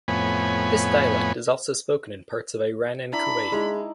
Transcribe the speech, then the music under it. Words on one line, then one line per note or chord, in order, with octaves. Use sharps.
This dialect is also spoken in parts of Iran and Kuwait.
F2 A2 B3 C#5 G#5 B5
D4 E4 A#5 B5
G#3 D#4 E4